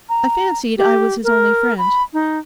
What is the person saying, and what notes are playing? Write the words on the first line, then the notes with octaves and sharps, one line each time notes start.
I fancied I was his only friend.
A#5
G4
A#4
B5
D#4